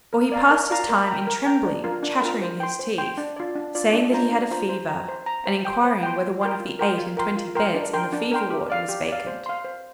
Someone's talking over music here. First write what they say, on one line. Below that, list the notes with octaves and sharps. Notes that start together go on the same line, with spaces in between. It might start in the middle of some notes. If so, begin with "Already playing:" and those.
Or he passed his time in trembling, chattering his teeth, saying that he had a fever, and inquiring whether one of the eight and twenty beds in the fever ward was vacant.
A#4
D5 F5 A#5
A#4
D5 F5 A#5
A#4
G5 A#5
A#4
G5 A#5
D4
F4 A#4
D4
F4 A#4
C5
G5 C6
C5
G5 C6
D4
F4 D5
D4
F4 D5
D4
F4 C5 A#5
D4
F4 C5 A#5
C5
A#5
C5
A#5
C5
G5 C6
C5
G5 C6
F4
A#4 G5 C6
F4
A#4 G5 C6
F4
A#4 G5 C6
F4
A#4 G5 C6
D4
A#4 G5 C6
D4
A#4 G5 C6
G4
D5 F5
G4
D5 F5
C5
F5 C6
C5